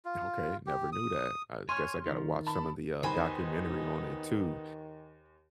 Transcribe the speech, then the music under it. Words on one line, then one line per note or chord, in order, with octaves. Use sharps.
Okay, never knew that. I guess I gotta watch some of the, uh, documentary on it too.
F4
G4
D#6
C#5 G#5 C6 F6
D#3
A5 B5
D#2 D#3 B3 D#4 C5 G#5 B5